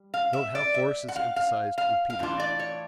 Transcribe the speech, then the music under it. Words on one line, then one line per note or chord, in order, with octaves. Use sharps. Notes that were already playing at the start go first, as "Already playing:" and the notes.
Note how force is emphasized repeatedly.
Already playing: G3
F5
E5
D5
E5
F#5
F5
F5
F5
F5
A2 E3 D4 F4
D5
C#5